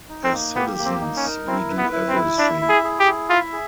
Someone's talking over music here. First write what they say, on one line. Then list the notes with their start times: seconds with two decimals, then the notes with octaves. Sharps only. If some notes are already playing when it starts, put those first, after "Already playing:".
As citizens we do everything.
0.09 D#4
0.24 C4
0.33 A#3
0.55 B3 G4
0.78 A#3
0.85 C4
1.00 D#4
1.16 C#4
1.24 A#4
1.47 C4 E4
1.70 B4
1.77 B3
1.92 E4
2.08 C4
2.15 E4
2.38 D4 E5
2.62 E4
2.69 G#4
2.84 G#4
3.00 G4
3.07 E4
3.30 F4 E5
3.53 G#4